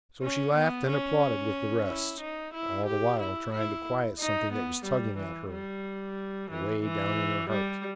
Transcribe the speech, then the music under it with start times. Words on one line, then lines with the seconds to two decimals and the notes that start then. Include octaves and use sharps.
So she laughed and applauded with the rest, all the while trying to quiet something that was tugging at her away down in her heart.
0.22 C#4
0.55 B3
0.89 C#4
1.88 E4
2.21 D#4
2.54 E4
2.87 G4
3.21 E4
3.53 E4
4.19 D#4
4.53 B3
4.86 G3
5.19 E3
5.52 G3
6.51 E3
6.84 E3
7.50 G3